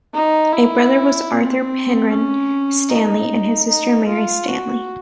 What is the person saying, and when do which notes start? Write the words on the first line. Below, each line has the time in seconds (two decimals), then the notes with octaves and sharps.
A brother was Arthur Penrhyn Stanley and his sister Mary Stanley.
0.14 D#4
0.53 E4
1.32 C4
2.11 C#4
2.90 D#4
3.68 D#4
4.08 F4
4.48 F#4